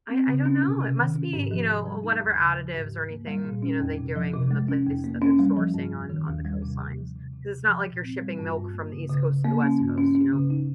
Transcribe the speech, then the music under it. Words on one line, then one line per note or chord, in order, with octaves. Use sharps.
I I don't know, it must be, you know, whatever additives or anything, you know, they doing from the place that they're sourcing on on the coastlines, 'cause it's not like you're shipping milk from the East Coast to the West Coast, you know.
C4
C#3
C#4
C3
C3
D#3
C#4
G#2
F3
C3
G3
D#4
D#2
C#3
F3
G#2
G#2
A#3
G3
A#2
C#4
F2
C3
F3
C3
G#3
C#4
F2
A#3
C#4
G3
F3
G2
F2
D#3
D#2
G3
C3
C3
F3
C3
C3
C3
F3
A#2
C4
G3
G2
G2
A#3
C#3
C#3
C#3
A#3
C#4
G2
C#4
C#4
C#3
D#4